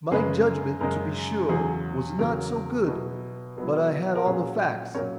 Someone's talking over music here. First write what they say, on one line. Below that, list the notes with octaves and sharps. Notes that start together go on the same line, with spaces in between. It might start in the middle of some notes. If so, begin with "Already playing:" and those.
My judgement, to be sure, was not so good; but I had all the facts.
F#2 C#3 G#3 G#4 B4
F#2 C#3 G#3 A#4
E2 C#3 F#3 G#4
E2 C#3 F#3 A#4
B2 F#3 B3 E4
B2 F#3 B3 E4
A#4
A#2 F#3 C#4 G#4 B4
A#2 F#3 C#4 A#4 C#5